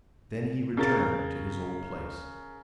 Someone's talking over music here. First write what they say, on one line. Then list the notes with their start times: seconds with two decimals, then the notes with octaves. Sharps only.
Then he returned to his old place.
0.77 C#3 A#4 A6